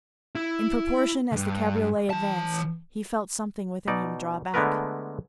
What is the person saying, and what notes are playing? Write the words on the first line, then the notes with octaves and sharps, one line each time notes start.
In proportion as the cabriolet advanced, he felt something within him draw back.
E4
D2 G2
E3 A5
B2 D#4 D5
D3 G#3 A3 B3 A#4 B4